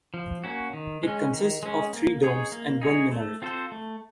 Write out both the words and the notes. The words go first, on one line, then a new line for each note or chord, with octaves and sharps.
It consists of three domes and one minaret.
F3
A#3 C#4 F#4
D#3
G#3 C#4
D#3
G#3 C#4
A#3
D#4 G#4 C#5
A#3
D#4 G#4 C#5
A3
C4 F4 A4 C5
A3